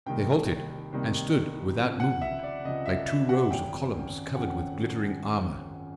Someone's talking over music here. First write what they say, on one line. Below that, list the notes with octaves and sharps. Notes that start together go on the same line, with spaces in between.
They halted and stood without movement, like two rows of columns covered with glittering armor.
C2 C3 D#3 G3 A#3 G5
C2 C3 D#3 G3 A#3
C#2 C3 F3
F#5
E5
D5
C#2 C3 F3 D#5
E5
E5
F#5
G#1 F#2 C#3 F3 G5
G#1 F#2 C#3 F3 F#5